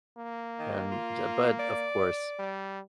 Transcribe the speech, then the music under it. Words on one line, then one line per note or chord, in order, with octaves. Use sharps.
and j but, of course,
A#3
D#3
F4
D5
G3